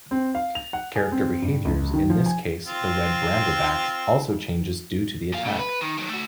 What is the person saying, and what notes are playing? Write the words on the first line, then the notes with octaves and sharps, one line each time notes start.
Character behaviors, in this case the Red Brambleback, also changes due to the attack.
C4
F5
F7
F#5
G#4
C4
G2
C#2
D#3
F3
G#5
C4 F4
A#2 F5
C#3 A3
B4
D#3
D#3 F#3
A3 F#4